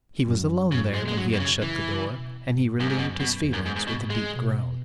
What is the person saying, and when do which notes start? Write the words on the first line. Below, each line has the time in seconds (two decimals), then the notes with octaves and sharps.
He was alone there when he had shut the door--and he relieved his feelings with a deep groan.
0.27 F#2
0.72 F#2 C#3
0.94 G#3
1.08 G#3
1.17 F#2 F#3
1.33 B2
1.40 C#3
1.62 C#3 E3
2.08 B2
2.52 G#2
2.80 F#2
2.89 G#2
2.97 F#2 B2
3.20 B2
3.43 E2
3.53 F#2
3.65 G#2
3.76 G#2
3.87 G#2 B2
4.10 G#3
4.32 B2